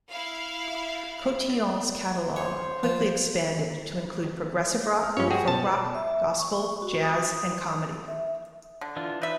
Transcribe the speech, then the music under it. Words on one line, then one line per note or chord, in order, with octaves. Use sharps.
Cotillion's catalog quickly expanded to include progressive rock, folk-rock, gospel, jazz and comedy.
E4 F5
C5 C#5
F3
F6
G2 F3 G3 C#4 C#5
F#4 G#4 G5
B2 A5
E5
C#6
F#4
D#6
E5
D3
E3 D4 F4
D#4 B4 E5